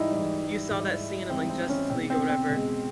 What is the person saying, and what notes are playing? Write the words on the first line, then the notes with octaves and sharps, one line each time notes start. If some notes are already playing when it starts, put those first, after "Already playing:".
you saw that scene in, like, Justice League or whatever,
Already playing: G#2 E3 G3 D#4 E4
G#2 E3 G3
G#2 E3 G3
G#2 E3 G3 C4
C4
C#4
B2 G#3 C4
C4
C4
B2 G#3